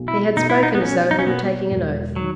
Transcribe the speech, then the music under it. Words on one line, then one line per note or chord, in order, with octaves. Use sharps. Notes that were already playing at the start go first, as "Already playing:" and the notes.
He had spoken as though he were taking an oath.
Already playing: B1
E4
B2 A#3 D#4
E4
D#4
B3
B1 C#4
D#4
C#4
B2 A#3 B3
E1
D#3 F#3